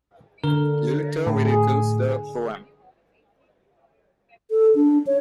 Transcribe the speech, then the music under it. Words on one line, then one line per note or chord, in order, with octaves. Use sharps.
Luthor ridicules the poem.
D3 A#4
A2
G#4
A4
D4
C#5